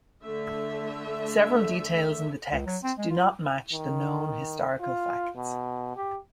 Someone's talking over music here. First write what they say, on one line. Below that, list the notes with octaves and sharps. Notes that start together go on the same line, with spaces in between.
Several details in the text do not match the known historical facts.
D3 A3 E5
C#2
F#3
C4
G#3
F4
D#3
F4
B2
G4